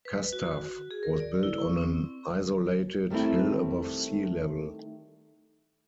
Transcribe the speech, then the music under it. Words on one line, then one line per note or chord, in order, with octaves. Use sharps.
Kastav was built on an isolated hill above sea level.
B4
F#4
G#4
A#4
D5
E4
C#6
C4
D#3 G3 A3 C4 E4